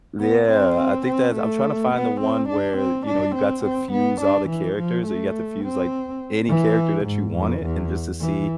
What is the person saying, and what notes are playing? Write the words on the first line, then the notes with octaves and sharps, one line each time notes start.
Yeah, I think that's I'm trying to find the one where, you know, you got to fuse all the characters or you got to fuse, like, any character that you wanted, and just to see
B3
C4
C4
A3
B3
C4
D4
C4
D4
C4
C4
B3
D4
E3
F3
A3
C4
E3
G#2
F2
E2
E3